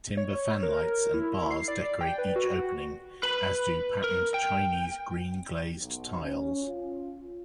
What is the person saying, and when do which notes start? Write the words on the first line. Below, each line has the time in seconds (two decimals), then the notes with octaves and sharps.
Timber fanlights and bars decorate each opening, as do patterned Chinese green glazed tiles.
0.17 C#5
0.63 A#4
0.77 A#4
1.14 E4
1.51 C7
1.68 D5
2.01 G5
2.18 B4
2.36 F#4
3.23 B4 B5
4.04 A#4
4.34 G5
5.80 B1
6.22 C#4
6.63 F4